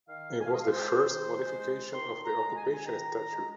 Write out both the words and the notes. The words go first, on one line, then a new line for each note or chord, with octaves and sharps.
It was the first modification of the Occupation statute.
D#3 F5
G#5
F5
G#3 D#5
F5
C5
D#3
G#3
D#3 C6
A#5
G#3
G#5
A#5
G#5
D#3 A#5
A#5
G#3